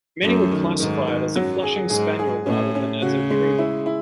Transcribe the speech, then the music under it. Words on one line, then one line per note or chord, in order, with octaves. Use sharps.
Many would classify it as a flushing spaniel rather than as a retriever.
F#2 A3
D#3
G#2 D#3
D#3
F#2 F#3
G#4
G#2 G#4
G#4
A2 C#4
C#4
C#3 F#4
G#3
E4
E4